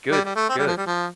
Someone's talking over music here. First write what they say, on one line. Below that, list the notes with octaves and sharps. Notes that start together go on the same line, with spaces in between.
Good, good.
G3
G3
A3
C4
G3
F3
G3
F3